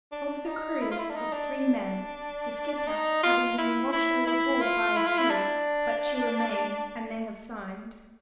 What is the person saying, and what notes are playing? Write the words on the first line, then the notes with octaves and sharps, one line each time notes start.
"Of the crew of three men, the skipper having been washed overboard by a sea, but two remain, and they have signed."
D4
D#4
E4
F4
E4
D4
D#4
D4
D#4
F4
E4
E4
E4
F4
E4
F4
E4
D4